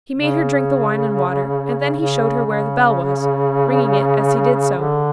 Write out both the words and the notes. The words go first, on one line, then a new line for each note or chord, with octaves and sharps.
He made her drink the wine and water, and then he showed her where the bell was, ringing it as he did so.
C#3
C#3
C#3
D3